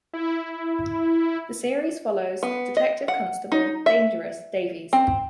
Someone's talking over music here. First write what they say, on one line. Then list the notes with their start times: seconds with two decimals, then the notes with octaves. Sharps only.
The series follows Detective Constable "Dangerous" Davies.
0.13 E4
2.43 B3
2.77 D#5
3.08 F#5
3.52 D#4
3.86 E5
4.93 C4